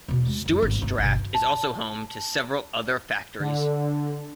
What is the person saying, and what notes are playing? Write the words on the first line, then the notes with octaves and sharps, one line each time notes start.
Stuarts Draft is also home to several other factories.
E2 B2
G#3
F#2 F#3
G#1
G1 D#3
G1 B2
A5
D3